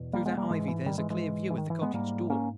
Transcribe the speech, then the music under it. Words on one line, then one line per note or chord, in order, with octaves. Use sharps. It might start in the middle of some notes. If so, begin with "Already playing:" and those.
"Through that ivy there's a clear view of the cottage door."
Already playing: E2 B2
G3 A#3
G#3 B3
G3 A#3
G#2 E3 G#3
E3
D#3 G3
E3 G#3
E3 G#3
E3
D#3
E3
G#3 B3
G#2 G3 A#3
A#3 C#4